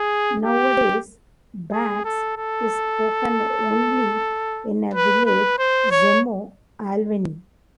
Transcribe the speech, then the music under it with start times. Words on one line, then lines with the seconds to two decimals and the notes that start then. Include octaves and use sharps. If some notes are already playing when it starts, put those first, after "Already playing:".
Nowadays, Bats is spoken only in a village Zemo Alvani.
Already playing: G#4
0.43 G4
1.72 G#4
2.05 A4
2.36 A4
4.93 B4
5.26 B4
5.58 C5
5.91 C#5